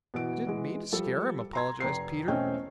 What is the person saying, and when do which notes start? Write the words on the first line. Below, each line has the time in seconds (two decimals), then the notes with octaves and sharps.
"I didn't mean to scare him," apologized Peter.
0.14 B2 E3 D7
0.47 E3 G#3
0.92 F3 G3 A4
1.53 A#5 C6 G#6
1.80 F1 A#5 C7
2.28 E1 A3 C4 C#4 D#5 G5